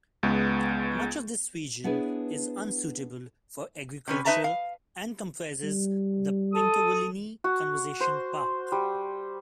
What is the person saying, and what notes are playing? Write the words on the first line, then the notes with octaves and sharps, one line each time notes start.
Much of this region is unsuitable for agriculture and comprises the Pinkawillinie Conservation Park.
C#2 G#3 B3
B3 D4 E4 G#4 B4 C#5
C3 C#4 B4
D#4 B4 E5 A5 A#5
F5
G3
A4 D#6
F#4
C5
G3